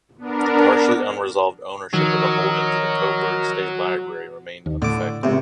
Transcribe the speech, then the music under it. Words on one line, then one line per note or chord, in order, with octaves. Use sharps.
The partially unresolved ownership of the holdings of the Coburg State Library remained unaffected.
B3 D4 A#4
D#3 F3 F#3 F#4 A#4 D#5
D#2
A2 D3 D6
C#2 C3